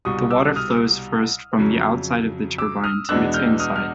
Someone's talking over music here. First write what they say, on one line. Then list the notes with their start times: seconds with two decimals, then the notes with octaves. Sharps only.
The water flows first from the outside of the turbine to its inside.
0.05 C2 B2 G3 C#6 D#6
0.31 D6 E6
0.56 D#6 F6
1.57 F2 C#3 F#3
2.58 D6 E6
2.84 D#6 F6
3.09 E2 B2 G#3 B3 D4 E6 F#6
3.34 F6 G6
3.59 D#6 F6
3.76 F6